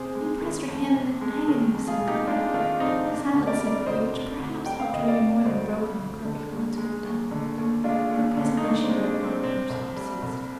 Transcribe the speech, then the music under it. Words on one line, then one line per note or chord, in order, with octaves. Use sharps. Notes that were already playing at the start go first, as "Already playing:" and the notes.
Anne pressed her hand in an agony of sympathy--silent sympathy, which perhaps helped Ruby more than broken, imperfect words could have done; for presently she grew calmer and her sobs ceased.
Already playing: C3 G#4 C5
G#3
D#3
F2
C3
G#3
D#3
F2
F4 G#4
C3
D#4 G4
G#3 D4 F4
D#3 D4 F4
F2 C4 D#4
C3 D4
D2
A#4 D5
G3
A#4 D5
D2 C5 D#5
C3
D2
G3 G5
F5
D2 D#5
D5 F5
C3
D2 C5 D#5
G3
D2
D3
D#2
G#3
D#2
D3
D#2
G#3 D4 F4
D#2
D3
D#4
D#2 D4
C4
G#3
D4
D#2
C4
C3 C4
C2
G3
C2